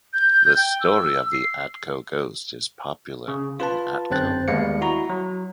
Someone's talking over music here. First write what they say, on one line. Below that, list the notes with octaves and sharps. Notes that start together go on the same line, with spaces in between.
The story of the Atco Ghost is popular in Atco.
G6
G5
E6
C7
C#3
F4 B4 A5
G1 F#2 C4 C5 F#6 A6
D#2 G3 G#3 B3 F5 C#7
E4 F#4 A#5
F#3